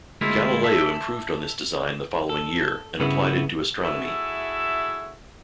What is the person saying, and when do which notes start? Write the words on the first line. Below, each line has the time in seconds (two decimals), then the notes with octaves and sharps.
Galileo improved on this design the following year and applied it to astronomy.
0.21 D2 G#3 A#3 E4 F4
0.64 A4 E5
2.29 A4
3.00 G2 C#3 B3 E4
3.84 E4 F#4 G#4 A4 E5